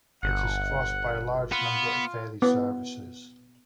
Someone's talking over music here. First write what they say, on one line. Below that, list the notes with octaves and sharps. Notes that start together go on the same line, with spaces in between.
It is crossed by a large number of ferry services.
G1 F#5
B3 F4
B3